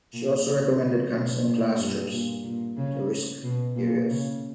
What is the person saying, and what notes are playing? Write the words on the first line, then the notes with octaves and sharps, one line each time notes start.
She also recommended cancelling class trips to risk areas.
A#2
C#3
C#3
B2
A#2
G2
A#2
A#2
C#3
B2
A#2
C#3